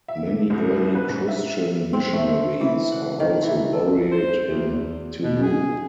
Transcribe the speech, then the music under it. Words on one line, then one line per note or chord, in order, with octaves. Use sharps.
Many early Christian missionaries are also buried in Tubou.
E5
D3
C2
B4
G#2
E5
C4
A3
E3
F#5
D#3
E3
A4
C2
C5
D2
E2
B2
G#4